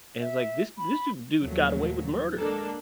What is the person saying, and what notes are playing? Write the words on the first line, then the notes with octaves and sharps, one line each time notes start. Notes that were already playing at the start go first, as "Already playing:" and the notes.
and it's like, this this du dude got away with murder
E5
B5
D#2 A#2 F3 F#3 A3
G#3 A#3 D4 A4 A#4